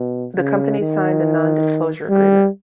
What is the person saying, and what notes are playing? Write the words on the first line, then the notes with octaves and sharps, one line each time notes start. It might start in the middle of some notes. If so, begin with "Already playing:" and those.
The companies signed a non-disclosure agreement.
Already playing: B2
C#3
D#3
G3